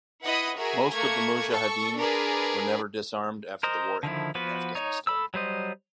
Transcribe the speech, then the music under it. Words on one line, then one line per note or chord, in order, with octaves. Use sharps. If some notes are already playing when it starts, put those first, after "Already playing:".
Most of the mujahideen were never disarmed after the war ended in Afghanistan.
E4 B4 D#5 F#5 D#6
F#4 G#4 A#4 E5 G#5
A3 A#3 C#6 G#6
A4 C#6
D4 G#4 A#4 B4 D5
A#4 C5 D#5
D3 D#3 F3 E4
F3 B3 F#4 B4
D#4 C#5
A4 B5 E6
F#3 G3 C5 D#5